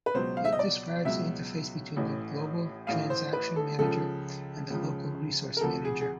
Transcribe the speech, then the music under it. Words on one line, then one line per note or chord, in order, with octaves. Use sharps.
It describes the interface between the global transaction manager and the local resource manager.
B4
C#2 B2 F#3 C5
F5
E5
D#5
D5
C#2 B2 F#3 E5
A1 A2 E3
A1 A2 E3 F5
C5
B4
A4
C#2 C#3 F3 A4
C#2 C#3 F3
A#4
D2 C3 F3 A4
G#4
G#4